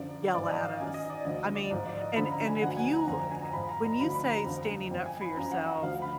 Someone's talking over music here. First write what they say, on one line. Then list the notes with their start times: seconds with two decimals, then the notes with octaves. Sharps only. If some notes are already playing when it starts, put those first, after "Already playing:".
yell at us." I mean and and if you eh eh when you say standing up for yourself,
Already playing: F#2 D3 F3 D5
0.34 G#2 F3 D5
0.49 D#5
0.64 F5
0.80 F#2 D#3 G#5
0.94 D#5
1.10 D5
1.25 D2 D3 F3 D#5
1.55 D5
1.70 G#2 F3 D5
1.87 D5
2.01 D#5
2.16 F#2 D3 F3 B5
2.32 A#5
2.47 G#5
2.62 D2 D3 F3 F#5
2.77 G#5
2.92 A#5
3.07 F2 D3 F3 A#5
3.19 A#5
3.31 G#5
3.42 A#5
3.53 G#2 F3 B5
3.69 A#5
3.84 A#5
3.99 D2 D3 F3 B5
4.14 B5
4.30 A#5
4.45 F2 D3 F3
4.91 F2 F3
5.06 G#5
5.21 B5
5.37 F#2 F3 A#5
5.51 F#5
5.66 F#5
5.82 D2 D3 F3 F5
6.02 B5